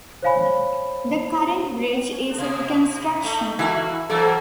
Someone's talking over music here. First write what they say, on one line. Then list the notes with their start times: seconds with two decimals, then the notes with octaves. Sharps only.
The current bridge is a reconstruction.
0.23 C5 C#5 F5 G#5 B5
2.38 C3
3.22 A3 D#4
3.59 E3 A3 A#3 F#4
4.10 E3 F#3 A#3 A4